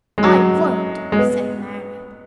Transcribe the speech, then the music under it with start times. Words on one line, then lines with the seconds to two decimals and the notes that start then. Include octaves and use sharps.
"I won't!" said Mary.
0.18 G#3
0.24 F#3
1.12 G#3
1.19 B3